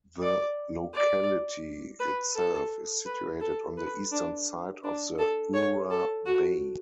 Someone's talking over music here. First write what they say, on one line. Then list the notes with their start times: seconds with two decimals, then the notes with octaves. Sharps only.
The locality itself is situated on the eastern side of the Ura Bay.
0.22 D5
0.94 D5
2.00 B4
2.35 A4
3.06 B4
3.41 A4
3.78 B4
4.12 D4
4.84 D4
5.18 A4
5.54 C#5
5.90 A4
6.26 F#4